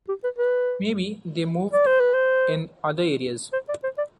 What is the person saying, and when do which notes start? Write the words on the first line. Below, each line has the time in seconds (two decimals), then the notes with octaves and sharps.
Maybe they've moved in other areas.
0.09 G4
0.24 B4
0.38 B4
1.73 D5
1.86 C5
2.00 B4
2.14 C5
3.53 C5
3.69 D5
3.84 C5
3.98 D5